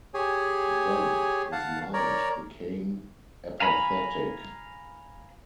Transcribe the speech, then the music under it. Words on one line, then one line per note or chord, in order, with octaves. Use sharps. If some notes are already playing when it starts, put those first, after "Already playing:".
Then his mind became apathetic.
G4 G#4 C#5 G#5
F5 F#5 A5
A#4 C#5 D5 A#5
F5 G#5 A#5 B5